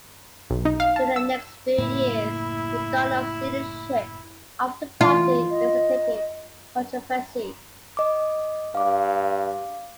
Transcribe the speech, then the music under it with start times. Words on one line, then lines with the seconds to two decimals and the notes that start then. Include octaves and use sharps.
During the next few years, McDonough's leadership of the party elicited controversy.
0.50 B1
0.65 D#4
0.80 F5
0.96 A5
1.16 E6
1.78 F#1 A2 A#3 E4
5.01 E3 F4
5.50 D#5
7.97 D#5 D6
8.75 G2 F5 D6